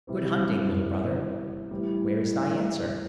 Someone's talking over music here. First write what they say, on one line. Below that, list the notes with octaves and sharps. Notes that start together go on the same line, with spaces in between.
"Good hunting, Little Brother! Where is thy answer?"
C3 E3 G3 C4
A2 E3 G3